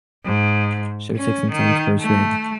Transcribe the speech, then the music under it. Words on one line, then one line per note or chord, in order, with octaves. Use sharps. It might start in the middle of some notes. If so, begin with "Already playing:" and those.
She would take some time to persuade.
G#2
C#4
D#3
A3